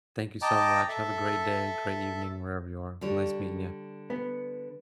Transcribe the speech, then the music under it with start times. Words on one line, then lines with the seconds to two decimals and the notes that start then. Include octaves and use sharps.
Thank you so much, have a great day, great evening wherever you are. Nice meeting you.
0.42 D#5 G5 A5 A#5 D6
0.88 A4 E5
3.01 D3 G3 C#5
4.10 B3